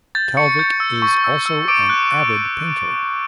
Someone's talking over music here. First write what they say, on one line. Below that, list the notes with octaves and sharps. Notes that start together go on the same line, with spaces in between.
Kalvik is also an avid painter.
G6 A6
C#6 C#7
G6
E6
C#6
E6
E6
D6 D7
F#6
F#6